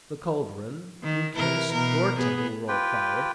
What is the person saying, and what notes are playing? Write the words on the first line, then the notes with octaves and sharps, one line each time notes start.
The culverin, ukase, and door-tender were all fired.
D#3
C3 E3 A#4
B2 A#4
B3 G#4
F4 G4 B4 G5